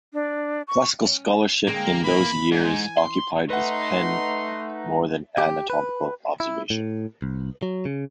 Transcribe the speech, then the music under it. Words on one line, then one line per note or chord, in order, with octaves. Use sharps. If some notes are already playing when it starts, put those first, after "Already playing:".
Classical scholarship in those years occupied his pen more than anatomical observation.
D4
C#6
C#4
D3 G#3 A#3 C4 A#5
E3 B5
G#2 G#5
C6
A3 D#4 B4 D#5 F#5 A#5 C6
G4
B4
E4
A2
C2
F#3
C#3